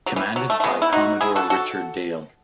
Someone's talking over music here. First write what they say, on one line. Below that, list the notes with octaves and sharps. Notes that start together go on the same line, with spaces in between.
Commanded by Commodore Richard Dale.
F#3
E3
F#3
A3
A3
G#3 B3
E4
D#4 F#4
E4 G#4
F#4 A4
F#4 A4